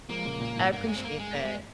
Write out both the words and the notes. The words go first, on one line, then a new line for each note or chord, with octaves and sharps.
I appreciate that.
F3 G#3 A#3
A#2 C#3
A#2
G#2
G2 A#3
G#3
C4
A#3
G#3
A#3
G#3